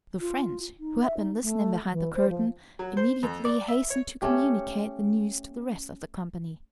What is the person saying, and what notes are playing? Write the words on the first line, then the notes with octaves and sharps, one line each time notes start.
The friend, who had been listening behind the curtain, immediately hastened to communicate the news to the rest of the company.
F4
D#4
E5
D#4
A3
E3
C5
F3
F#3
C5
F2
D5
E5
C#5
A3 C#4 G4